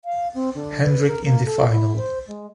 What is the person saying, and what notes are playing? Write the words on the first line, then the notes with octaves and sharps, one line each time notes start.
Hendrick in the final.
F5
C4
D3
B4
A#4
A#3
A4
E4
C5
G#3